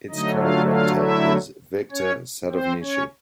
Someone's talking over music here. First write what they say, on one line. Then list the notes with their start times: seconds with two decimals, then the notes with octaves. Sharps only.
Its current rector is Viktor Sadovnichiy.
0.10 D3 F#3 A3 D#4 D#5
0.41 F4 F5
0.71 F4 F5
1.01 E4 E5
1.91 C#4 C#5
2.52 C4 C5
2.82 C#4 C#5